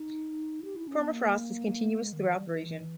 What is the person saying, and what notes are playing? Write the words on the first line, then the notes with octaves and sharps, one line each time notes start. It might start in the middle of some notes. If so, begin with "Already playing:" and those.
Permafrost is continuous throughout the region.
Already playing: D#4
E4
G4
E4
C#4
B3
A#3
G#3
D#3
E3
G3
E3